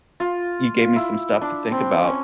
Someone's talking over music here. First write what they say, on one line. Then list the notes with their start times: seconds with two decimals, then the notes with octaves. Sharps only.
You gave me some stuff to think about.
0.20 F4
0.81 F4
0.96 E4
1.41 D4
1.72 C4
2.02 C#4